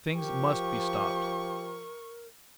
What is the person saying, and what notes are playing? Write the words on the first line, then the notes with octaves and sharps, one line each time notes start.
Things must be stopped.
F3 G4 A#4 C#6